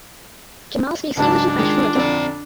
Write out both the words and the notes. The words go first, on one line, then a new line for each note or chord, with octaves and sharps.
Jamal speaks English and French fluently.
C#2 G#2 F#3 D4 A5
D#3 G#3 F4
F2 D3 C4 D5